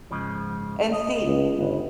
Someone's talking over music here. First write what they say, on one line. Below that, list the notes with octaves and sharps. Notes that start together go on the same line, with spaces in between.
And see,
G#2 C#3 F3
D#5
C#2
G1 C#2